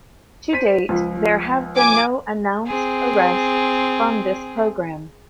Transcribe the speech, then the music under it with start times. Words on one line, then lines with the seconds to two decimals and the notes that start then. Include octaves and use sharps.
To date, there have been no announced arrests from this program.
0.52 C5 B6 D#7
0.89 C#2 F3
1.77 G#5 D6
2.67 C4 G#4